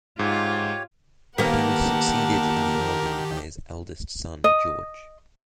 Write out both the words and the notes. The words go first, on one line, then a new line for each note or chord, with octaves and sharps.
He was succeeded in the earldom by his eldest son George.
G#2 F4 G4 C#5
D#3 A#3 B3 G4 A#4 F#5 A5
D#5